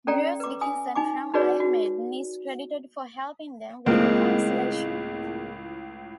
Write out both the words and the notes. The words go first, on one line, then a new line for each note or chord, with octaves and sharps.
Bruce Dickinson from Iron Maiden is credited for helping them with the translation.
C#4 A4 D5 G5 A#5
B4 D6
G#5 D#6
D#4 G#5 D6
D#4 F#4 G#4 B4 C#5 D5
F#4
C#2 A2 G#3 A#3 C4